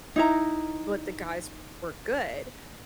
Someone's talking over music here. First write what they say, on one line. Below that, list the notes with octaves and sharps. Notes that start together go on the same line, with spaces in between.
but the guys were good,
D#4 E4 A#5